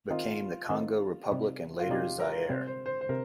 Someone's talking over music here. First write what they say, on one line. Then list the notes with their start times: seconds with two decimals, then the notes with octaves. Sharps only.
Became the Congo Republic and later Zaire.
0.10 D#3 C4 D#4 F4
0.70 D#3 C4 D#4
1.29 C3 G3 D#4
1.79 F4
1.89 C3 G3 D#4 G4
2.20 A#4
2.49 C3 G3 C4 C5
2.67 C5
2.86 C5
3.01 C5
3.09 C3 A#4